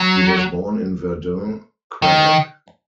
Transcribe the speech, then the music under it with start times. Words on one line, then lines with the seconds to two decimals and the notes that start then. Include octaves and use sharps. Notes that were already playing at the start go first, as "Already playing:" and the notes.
He was born in Verdun, Quebec.
Already playing: F#3
2.02 D#3